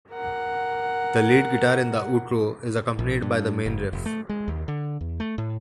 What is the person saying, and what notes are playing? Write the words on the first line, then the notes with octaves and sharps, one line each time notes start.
The lead guitar in the outro is accompanied by the main riff.
A#4 F#5
A#1
G2
F#1
F1
A3
G#3
D#2
D3
E2
A3
A2